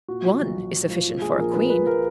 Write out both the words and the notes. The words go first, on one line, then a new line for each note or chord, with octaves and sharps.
One is sufficient for a queen.
A#2 F#4
F3
B1
B1
A#2
F3
A#2
F3 G#4
A#1 A#4
A#1 B4
A#2 B4
F3 A#4